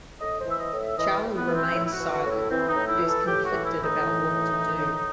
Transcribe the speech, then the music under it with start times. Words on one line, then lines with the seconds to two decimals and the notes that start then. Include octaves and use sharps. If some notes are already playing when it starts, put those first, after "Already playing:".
Charlie remains silent, but is conflicted about what to do.
0.20 A2 D#5
0.40 C5
0.46 E3 E5
0.59 D#5
0.72 A2
0.78 E5
0.97 E3 D#5
1.23 A2
1.36 B3
1.47 E3
1.54 C4
1.73 A2 E4
1.85 E4
1.92 F#4
1.98 E3
2.12 F#4
2.24 A2
2.31 E4
2.50 E3 C4
2.68 D#4
2.75 A2
2.87 E4
3.01 E3
3.07 A4
3.26 A2 G4
3.45 F#4
3.50 E3
3.64 E4
3.77 A2
3.83 D#4
4.02 E3
4.27 A2
4.53 E3
4.77 A2